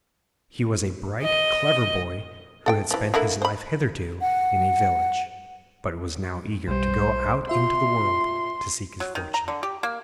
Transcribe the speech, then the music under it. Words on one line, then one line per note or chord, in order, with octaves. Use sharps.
He was a bright, clever boy who had spent his life hitherto in a village, but was now eager to go out into the world to seek his fortune.
D#5
A4 F#5 G5
E3 F3
D3 A#3 E4
C5 B5
F#5
B1 G3 C5
F4 E5 C6
F#3
D#3
A#5
D3
G4
A#3